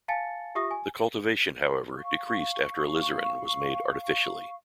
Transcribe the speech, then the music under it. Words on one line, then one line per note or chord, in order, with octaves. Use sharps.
The cultivation, however, decreased after alizarin was made artificially.
F5 G#5 A5 A6 C#7
F4 G4 E5 C#6 D#6 A#6
G#5
F5 C#6